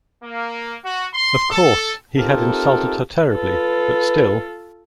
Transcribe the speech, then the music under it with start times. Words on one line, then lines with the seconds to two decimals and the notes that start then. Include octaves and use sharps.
Of course, he had insulted her terribly, but still —!
0.23 A#3
0.84 F#4
1.14 C6
1.51 A4
2.18 C4 D#4 F4 G4 A4 A#4
3.33 F4 A4 B4